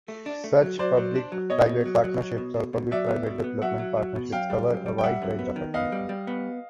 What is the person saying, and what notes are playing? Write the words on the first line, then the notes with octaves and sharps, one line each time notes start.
Such public-private partnerships or public-private development partnerships cover a wide range of activities.
A3
D4
A3
F#3
F#3 C5 D5
F#3
D4
F#3
B2 C#5 D#5
B2
F#3
F#3
F#3
B2
B2
B2
F#3 D5 E5
B3
B2
B3
F#3 E5 F#5
F#3
F#3
B2
F#2 F5 G5
G3
F#2
G3
G5
G3 E5 F#5
F#2
B3
D#3
B3 D#5 F5
G3
G3
B3